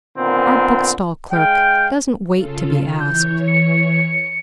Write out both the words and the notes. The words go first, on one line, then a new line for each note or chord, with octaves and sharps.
Our bookstall clerk doesn't wait to be asked.
A#2 D3 D#3 B3 C4
G#3 F5 G5
C#3 F4 A4
E3 C#5 G6
C#7